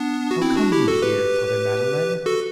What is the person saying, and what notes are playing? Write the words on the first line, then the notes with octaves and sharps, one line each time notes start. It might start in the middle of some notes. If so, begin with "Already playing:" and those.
How come you here, Father Madeleine?
Already playing: B3 D4
F#4
C4 E4
D4 F#4
E4 G4
F#4 A4
G4 B4
F#4 A4